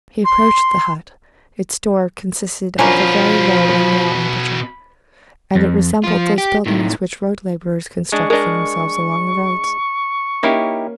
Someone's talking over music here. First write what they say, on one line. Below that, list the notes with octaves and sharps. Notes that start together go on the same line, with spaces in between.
He approached the hut; its door consisted of a very low and narrow aperture, and it resembled those buildings which road-laborers construct for themselves along the roads.
C6
B2 F3 C#4 D4 F4 A#4 B5
F2
F3 F4
G4
A2 D#3
G#3 D4 C#6
G#3 D4 A#4 D#5
A#3 C#4 D#4 E4 G4